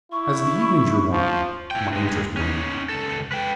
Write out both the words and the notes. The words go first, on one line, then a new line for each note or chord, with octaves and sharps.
'As the evening drew on, my interest waned.
E4 C#6
F3
E4 G5
G2 G#3
C#4 D#4
C#2 A4
B4 G5